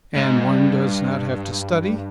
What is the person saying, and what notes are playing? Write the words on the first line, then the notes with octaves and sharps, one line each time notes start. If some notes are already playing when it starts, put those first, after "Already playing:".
"And one does not have to study?"
G#2
G2